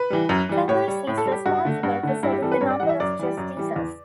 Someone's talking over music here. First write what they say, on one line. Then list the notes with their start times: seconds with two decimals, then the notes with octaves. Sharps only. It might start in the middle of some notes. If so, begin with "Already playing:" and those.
Congress is responsible for setting the number of justices.
Already playing: B4
0.10 E3 G3
0.29 F#2
0.49 E3 G3
0.68 A2 C#5
0.88 G3
1.07 A2
1.18 A4
1.26 G3
1.32 G4
1.46 G2 F#4
1.65 D3 A3
1.83 G2
2.03 D3 A3
2.23 G2 E4
2.33 G4
2.42 E3 G3 A4
2.52 B4
2.61 G2 C#5
2.70 D5
2.80 E3 G3 F#5
2.89 E5
3.00 F#2 D5
3.19 E3 G3
3.37 F#2
3.57 E3 G3
3.76 E2